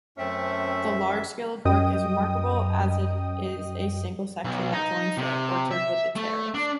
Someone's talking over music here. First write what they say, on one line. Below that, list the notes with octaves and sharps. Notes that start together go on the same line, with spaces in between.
The large scale of work is remarkable, as it is a single section that joins the orchard with the terrace.
F#2 A3 C4 C#4 E5
F#2 D#5 G5 D#6
B1
D#4
C3
E5
A3
D4